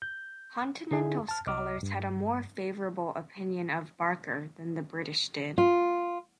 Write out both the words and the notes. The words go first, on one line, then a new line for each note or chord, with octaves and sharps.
Continental scholars had a more favourable opinion of Barker than the British did.
G6
D3 D#4 E4 G#4
A5 F6
C2 D#5 D6 F6
G2
F4